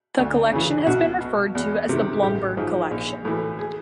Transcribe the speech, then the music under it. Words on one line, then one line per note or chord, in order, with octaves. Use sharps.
The collection has been referred to as the Blumberg Collection.
D2
C#3 E3
B1 F#4
B2
E2
C3 D#3
A1 G4
G#2 F3
A#1
A2 E3
G#4